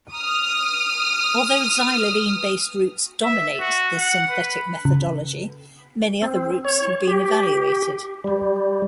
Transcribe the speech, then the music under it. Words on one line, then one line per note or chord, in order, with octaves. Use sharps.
Although xylylene-based routes dominate the synthetic methodology, many other routes have been evaluated.
D#6 F6
E5
F#4
F#5
B4
C#3
C4
C#5
G4
G3